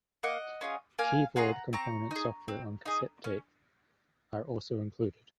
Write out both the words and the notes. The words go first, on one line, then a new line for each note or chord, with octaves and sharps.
Keyboard Component software on cassette tape are also included.
A#3 D#5 F#5
C#4 F4 G#4
A#3 F5 G#5
C#4 F4 G#4 F#5 A#5
C4 A#5 C#6
D#4 G#4
C4
D#4 G#4
C#4